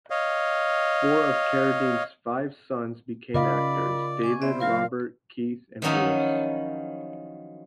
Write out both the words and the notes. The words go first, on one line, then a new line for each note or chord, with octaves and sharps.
Four of Carradine's five sons became actors: David, Robert, Keith, and Bruce.
C#5 D#5 F5
C#3 F4 A#4 D5 D#5 F5 B5
G#5 C#6 D6
B3 E4 C5 D5 E5
F#3 F4 A#4 F5
D#3 F3 F#3 C#4 D#4 E4